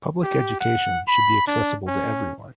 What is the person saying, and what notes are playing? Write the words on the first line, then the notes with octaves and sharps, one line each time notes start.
Public education should be accessible to everyone.
G4
F#5
B5
D4
C#4